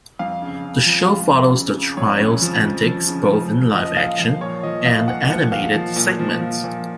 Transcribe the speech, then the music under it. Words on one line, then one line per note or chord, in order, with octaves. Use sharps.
The show follows the trio's antics both in live-action and animated segments.
F2 F5
C#3
C#3
F3
F2
F2
C#3
C#3
F2 C#5
C#3
F3
F3
F3
C#3
F3
F3
F3 D#5
A#2 F5
F3 F5
A#2 C#5
F3 D#5
F3 F5
A#2 F#5
F3 F#5
A#2 F5
F3
A#2
F3
F3
A#2